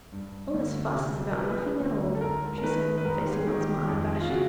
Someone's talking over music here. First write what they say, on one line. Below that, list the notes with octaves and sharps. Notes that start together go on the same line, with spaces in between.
"All this fuss is about nothing at all," she said, facing Ozma unabashed.
G2
D2
C3
A#4
F3 B4
D2
A4
G#2 A#4
A#4
D#3 B4
B4
G#2 A#4
G4
G#4
D#3
G4
F2
F4
C#3 F#4